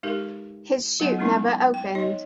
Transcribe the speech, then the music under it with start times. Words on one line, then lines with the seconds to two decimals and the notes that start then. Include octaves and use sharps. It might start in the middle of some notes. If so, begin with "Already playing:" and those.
His chute never opened.
0.03 G#3 D#4 G4 A4 A#4
1.00 F#3 G3 A3 B3 D#4 F#5
1.19 G#3 A3 B3 C#4 D#4 E4
1.74 G5
1.95 D#4 C#5 D#5